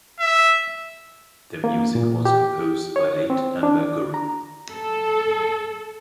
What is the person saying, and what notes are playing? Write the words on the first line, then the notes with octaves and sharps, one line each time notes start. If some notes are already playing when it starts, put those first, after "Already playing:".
The music was composed by late Amber Gurung.
E5
A#3
A#2
G4
C#5
C4
D4
A#5
A4